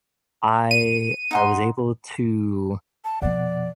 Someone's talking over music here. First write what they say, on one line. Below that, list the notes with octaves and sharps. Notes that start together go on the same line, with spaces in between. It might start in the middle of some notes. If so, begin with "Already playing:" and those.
I I was able to
D#7
D#4 F#5 C6
A5
F2 B2 F3 D5 F#5